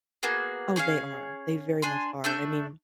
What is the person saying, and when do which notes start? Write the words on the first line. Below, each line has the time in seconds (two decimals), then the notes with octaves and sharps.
Oh, they are. They very much are. I mean,
0.23 A#3 B3 F#4 G#4
0.76 C#4 G#4 C#5 F5
1.82 D4 G#5 C6
2.24 A3 D4 E5 G6